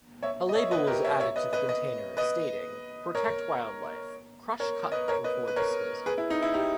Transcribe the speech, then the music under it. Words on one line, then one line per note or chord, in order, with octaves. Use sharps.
A label was added to the container stating: Protect Wildlife: Crush Cup Before Disposal.
C#5 E5
D#5
C#5 E5
B4 D#5
G4 A#4
C#5 E5
C#5 E5
B4 D#5
B4 D#5
B4 D#5
B4 D#5
A#4 C#5
A#4 C#5
B4 D#5
A#4 C#5
B4 D#5
B4
A#4 C#5
G#4 B4
E4
D#4
E4
D#4 G4